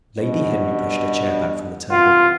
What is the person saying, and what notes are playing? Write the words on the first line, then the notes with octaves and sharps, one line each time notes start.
Lady Henry pushed her chair back from the table.
G2 B2 D#5
C3 E3 F4 F#5